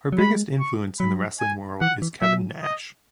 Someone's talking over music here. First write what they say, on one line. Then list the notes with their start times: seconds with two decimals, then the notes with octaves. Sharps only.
Her biggest influence in the wrestling world is Kevin Nash.
0.12 F#3
0.19 G#3 B5
0.60 C#6
1.00 F#3 B5
1.40 G#5
1.81 E3 F#5
2.02 E3
2.22 F#3 E5
2.63 D#5